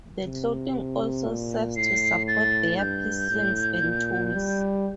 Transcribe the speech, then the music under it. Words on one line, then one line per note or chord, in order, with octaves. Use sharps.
The clothing also serves to support their piercings and tools.
C3
A#2
A2 C7
A6
G2 G6
A2
A#2
G3